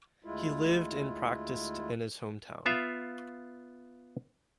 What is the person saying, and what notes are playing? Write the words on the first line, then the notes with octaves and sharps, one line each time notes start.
He lived and practised in his hometown.
D2 G#3 E4 F4
B3 F4 E5 F5